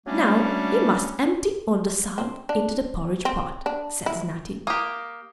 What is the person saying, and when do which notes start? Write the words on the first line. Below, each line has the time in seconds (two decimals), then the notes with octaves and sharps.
'Now you must empty all the salt into the porridge-pot,' said Snati.
0.07 F#3 G3 A3 A#3 C#4 D4
2.18 C4
2.49 D4
3.25 C4
3.66 D4
4.06 E4
4.67 A#3 G4 D#6